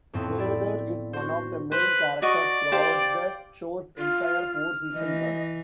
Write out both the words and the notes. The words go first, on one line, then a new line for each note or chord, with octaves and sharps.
Mayweather is one of the main characters throughout the show's entire four-season run.
F2 A2 B3 C4
E4 D5
F#4 C5
B4 C5
F#4 D5 D#5 C#6
G4 C5 F5
F4 F6
E3 D#5